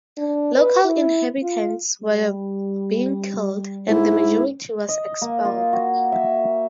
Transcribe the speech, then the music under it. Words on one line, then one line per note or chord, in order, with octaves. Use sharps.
Local inhabitants were being killed, and the majority was expelled.
D4
B4
E4
F4
G3
G#2 E4
D#5
A#3
F4
F#4
E5